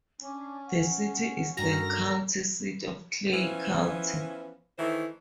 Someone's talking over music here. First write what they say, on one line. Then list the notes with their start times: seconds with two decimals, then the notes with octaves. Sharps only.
The city is the county seat of Clay County.
0.21 C#4 D4 D6
0.65 F#5
1.57 G2 F#4 A4 A#4 A#5 A#6
3.32 E3 F3 B3 C#4
4.78 D#3 E3 A3 E4 C5